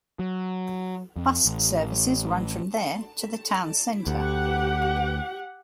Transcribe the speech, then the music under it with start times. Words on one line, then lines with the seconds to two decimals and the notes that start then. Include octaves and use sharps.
Bus services run from there to the town centre.
0.19 F#3
1.16 F2
1.46 A1
4.07 D2 G4 F#5